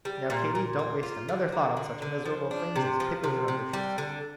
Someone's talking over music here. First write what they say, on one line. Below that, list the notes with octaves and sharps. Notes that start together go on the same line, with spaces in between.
Now, Katy, don't waste another thought on such miserable things as pickles and undershirts.
G3
A#2
A#2
A#3
F4
D3
A#3
D3
D3
F3
D4
C3
F3
C3
C3
G3
D3